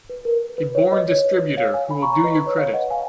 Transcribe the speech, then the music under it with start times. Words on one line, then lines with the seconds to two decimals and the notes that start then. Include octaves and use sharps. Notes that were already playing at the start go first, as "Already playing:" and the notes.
A born distributor, who will do you credit.
0.09 B4
0.25 A#4
0.58 B4
0.75 C#5
0.92 B4 D#5
1.09 C#5
1.57 C#5 F5
1.74 F5 G#5
1.91 G#5 B5
2.02 A#5 C#6
2.13 A#5 C#6
2.24 B4 D#5
2.35 B4
2.46 C#5
2.57 C#5 F5
2.73 D#5 F#5
2.90 F5 G#5